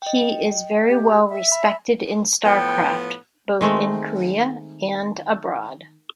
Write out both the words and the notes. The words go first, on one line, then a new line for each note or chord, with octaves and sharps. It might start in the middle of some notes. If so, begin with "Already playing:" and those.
He is very well respected in StarCraft both in Korea and abroad.
D#5 G5
G4
E5
B5
A2 F3 B3 G5
D#3 G#3 A3 C4